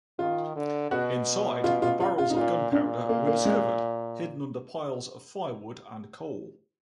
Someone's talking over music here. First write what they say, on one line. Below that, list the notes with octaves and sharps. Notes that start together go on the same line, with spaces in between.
Inside, the barrels of gunpowder were discovered hidden under piles of firewood and coal.
D#3 F4
D3
B2 F#4
F4
F4
F4
F4
D#4
A#2 F4
A#2 D4
A#3
A#3
G#3